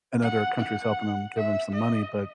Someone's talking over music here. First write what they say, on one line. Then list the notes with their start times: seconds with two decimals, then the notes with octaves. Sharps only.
and other countries helping 'em give 'em some money, but
0.22 F#5
0.60 F#5
1.37 E5
1.74 D#5